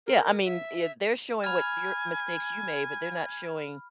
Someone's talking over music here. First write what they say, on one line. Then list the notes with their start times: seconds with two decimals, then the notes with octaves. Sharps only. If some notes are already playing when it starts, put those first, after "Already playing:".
Yeah, I mean, if they're showing what your mistakes you made, but they're not showing
0.07 A#4
0.45 E5
1.44 G#5 B5 F6